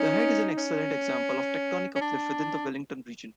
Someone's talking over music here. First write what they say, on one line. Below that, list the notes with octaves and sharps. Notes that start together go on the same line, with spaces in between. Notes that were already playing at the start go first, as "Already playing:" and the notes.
The head is an excellent example of tectonic uplift within the Wellington region.
Already playing: C#4 D#4
C#4
C#4
D4